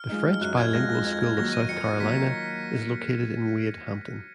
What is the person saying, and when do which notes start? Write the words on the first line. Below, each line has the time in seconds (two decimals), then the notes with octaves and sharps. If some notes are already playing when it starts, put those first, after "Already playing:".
The French Bilingual School of South Carolina is located in Wade Hampton.
Already playing: F6
0.09 F3 G#3 D#4
0.33 F6
0.41 F#2 F#6
0.57 G#6
0.73 F3 G#3 D#4 A#6
0.90 A#6
1.05 F2 G#6
1.21 G#6
1.37 D#3 F#3 A#3 A#6
1.53 D#7
1.69 F2 C#7
2.00 D#3 F#3 A#3 B6